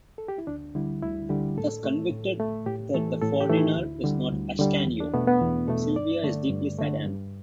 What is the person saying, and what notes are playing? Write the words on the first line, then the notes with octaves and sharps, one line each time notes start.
Thus convinced that the foreigner is not Ascanio, Silvia is deeply saddened.
A4
G4
E4
D2 D4
D3 G3 E4
D2 E4
D3 G3 G4
A2 A4
A3
A2
A3
A2 G4
E3 A3 A4
A2 A4
G4
E3 A3
E4
D2
D3 G3
D2
D3 G3
E2
D4
B2 A3 B3
B3
E2 E4
B2 A3 A4
G2 D5
D3 A3
G2
D3 A3
G2